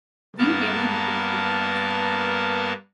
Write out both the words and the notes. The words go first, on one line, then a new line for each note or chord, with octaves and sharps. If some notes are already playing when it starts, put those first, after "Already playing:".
Being heavy on the beach is worse.
G2 A#3 B3 A#4 A5